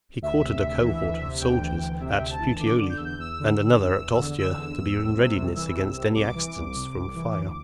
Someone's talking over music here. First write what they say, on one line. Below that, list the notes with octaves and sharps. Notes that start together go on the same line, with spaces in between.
He quartered a cohort of soldiers at Puteoli, and another at Ostia, to be in readiness against any accidents from fire.
D2 E5
C3
D2
E3
D2
C3
D2 G5
E3
D2
C3 E5
G5
D2 E5
A5
E3
D3 D6
D3
G6
E2 E6
G6
E2 E6
D3
D3
E2
E2
D3
D3 E6
E2
E2
C2
C3
C2
E3 E6
C2
C3
C2 D6
E3
C2
C3
C2
E3
D2